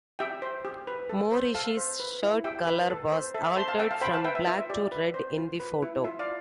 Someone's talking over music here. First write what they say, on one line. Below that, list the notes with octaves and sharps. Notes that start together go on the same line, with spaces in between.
Morrissey's shirt colour was altered from black to red in the photo.
G4 E5 G5
C5
G4
B4
A4
C5
A4 F5 A5
C5
B4
E4
G4 E5 G5
B4
A4
C5
A4 E5
E5
C5 A5 C6
F5 A5
A4 E5 G5
F5 A5
C5 G5 B5
F5 A5
B4 E5 G5
E5
F4 E5
E5
G4 D5
B4
C5
F4
B4
E4
F4 E5
D5 F5